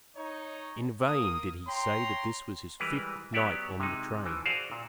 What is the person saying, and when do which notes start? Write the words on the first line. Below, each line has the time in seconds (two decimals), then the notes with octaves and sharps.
In vain did he say that this was his fifth night on the train.
0.16 D#4 C#5
1.06 A#3 D#6
1.67 C#5 G5 A#5 C6
2.80 E3 G3 G#3 A#4 B4
3.33 F#3 B3 G4 C#5 D5 E5
3.80 C3 G#3 D#4
4.26 E3 F3
4.46 F#4 G#4 C5 D5 F5
4.72 A#2